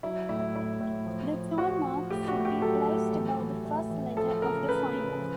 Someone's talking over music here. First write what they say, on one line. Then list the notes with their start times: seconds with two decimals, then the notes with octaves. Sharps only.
The tone mark should be placed above the first letter of the final.
0.03 F#3 E4
0.29 A2 E4
0.55 A2 E4
0.80 A2
1.06 F3
1.33 F3
1.58 F3 F#4
1.84 F3
2.10 A2 G4
2.28 F#4
2.36 A2
2.45 G4
2.62 F#3 A4
2.88 A2
3.13 E3
3.40 E3
3.65 A2
3.91 E3
4.17 F3 A4
4.42 C#3 A#4
4.68 C#3 B4
4.94 C#3
5.19 F3